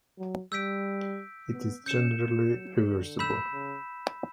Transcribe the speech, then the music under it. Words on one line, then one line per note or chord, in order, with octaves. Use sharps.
It is generally reversible.
F#3
G3 E6 G6 B6 D7
B3
C#4 G6 C#7 E7
A#3
F#3
D3
B5 E6 G6 B6 E7
C#3